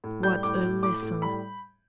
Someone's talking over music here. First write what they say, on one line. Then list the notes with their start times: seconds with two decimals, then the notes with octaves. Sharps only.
What a lesson!
0.04 A2
0.23 G3 G6
0.43 A2 D6
0.63 A2
0.82 A2 D6
1.02 A2
1.22 G3 B5